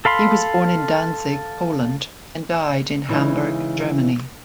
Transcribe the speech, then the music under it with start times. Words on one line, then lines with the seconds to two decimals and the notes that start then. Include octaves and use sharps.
He was born in Danzig, Poland and died in Hamburg, Germany.
0.05 A4 F5 B5 C6
3.09 C#3 E3 G#3 D#4